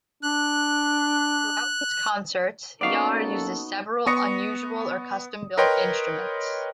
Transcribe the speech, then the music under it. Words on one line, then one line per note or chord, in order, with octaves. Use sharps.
Throughout his concerts, Jarre uses several unusual or custom-built instruments.
D4 F#6
A#3 B3 C#4 D#4 F#4 A4 D5 F5
B3 C#6 D#6 A#6 C#7
A#4 B4 C#5 D#5 G5 C6